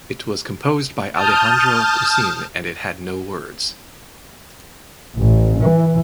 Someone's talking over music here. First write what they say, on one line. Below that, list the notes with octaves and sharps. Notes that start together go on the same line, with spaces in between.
It was composed by Alejandro Cousin and it had no words.
A5 D#6 F6 G6
A1
E3